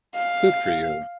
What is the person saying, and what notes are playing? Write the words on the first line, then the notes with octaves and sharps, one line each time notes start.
Good for you.
F5